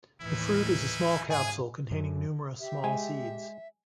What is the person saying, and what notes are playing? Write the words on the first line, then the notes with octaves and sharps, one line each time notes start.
The fruit is a small capsule, containing numerous small seeds.
D#2 A2 E3 C#4 D#4 E4
G#2 C#3 G#4 G#5
F#2
G4 E5
G#3 G#5